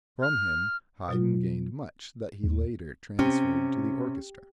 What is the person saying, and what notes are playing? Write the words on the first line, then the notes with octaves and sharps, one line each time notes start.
From him Haydn gained much that he later transferred to the orchestra.
F6
B2 F#3 F4
D#2
C3 C#4